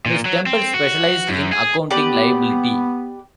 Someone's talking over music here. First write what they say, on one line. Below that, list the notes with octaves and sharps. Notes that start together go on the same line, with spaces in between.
Ms. Temple specialized in accounting liability.
A#2
F#3
C4
F#4
F#2
G#4
B3 G4 B4 D5